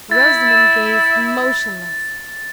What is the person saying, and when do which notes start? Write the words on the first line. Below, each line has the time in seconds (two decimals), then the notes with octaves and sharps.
Rosamond gazed motionless.
0.11 E4 A6